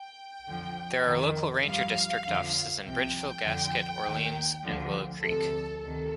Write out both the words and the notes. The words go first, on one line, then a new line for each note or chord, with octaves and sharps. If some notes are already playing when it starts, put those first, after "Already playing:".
There are local ranger district offices in Bridgeville, Gasquet, Orleans, and Willow Creek.
Already playing: G5
F2 D3 F3
F2 D#3
G2 F3 F5
F2 D3 F3
C2 C3 F3 G5
F2 D3 F3
D#2 D#3
D2 D3 F3
D2 C3 F3 A4
D2 C3 D#3 A4